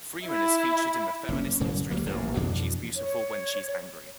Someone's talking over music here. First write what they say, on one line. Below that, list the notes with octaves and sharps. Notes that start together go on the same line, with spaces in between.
Freeman is featured in the feminist history film "She's Beautiful When She's Angry".
E4
F#1 A#3 C#4
F#1 F#2 C#3 E3
C#2 F#3 G3 A#3
D#1 A1 G#2 A#3
F2 B2 E3 D4
C#5